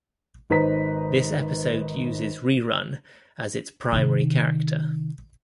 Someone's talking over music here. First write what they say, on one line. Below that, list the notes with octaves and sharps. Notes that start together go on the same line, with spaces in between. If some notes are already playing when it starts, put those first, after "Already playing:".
This episode uses Rerun as its primary character.
G#1 D#4 B4 C5 A#5 B6
C3 D#3